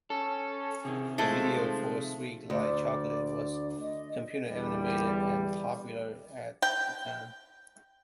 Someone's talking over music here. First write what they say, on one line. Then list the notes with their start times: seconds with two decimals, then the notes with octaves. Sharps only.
The video for "Sweet Like Chocolate" was computer-animated and popular at the time.
0.10 C#4 A4
0.85 C3 D#3 G#4
1.18 F3 G#3 A3 A4
2.50 D2 D5
3.81 D#5
4.49 E2 D3 E3 G3
6.62 G5